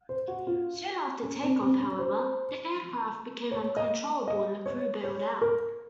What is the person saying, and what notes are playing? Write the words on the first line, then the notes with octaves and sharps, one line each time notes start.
Soon after takeoff, however, the aircraft became uncontrollable, and the crew bailed out.
C5
F#4
F4
C#4
C4
C4
C#4
C5
C#5
D#5
D#5
C#5
C#5
A#4